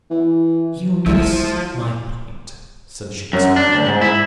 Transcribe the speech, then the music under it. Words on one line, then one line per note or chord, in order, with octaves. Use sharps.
"You miss my point," said Shakespeare.
E3
G1 C2 F3 E4
F#2
D4
D2
G#2
E4